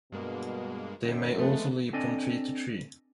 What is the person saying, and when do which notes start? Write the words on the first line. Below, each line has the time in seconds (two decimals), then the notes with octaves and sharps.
They may also leap from tree to tree.
0.12 G2 B2 G#3 A#3
1.05 F#2 D#3
1.38 F3 G#3 A3 B3
1.93 C4 D4 A4 D5 D#5 G#5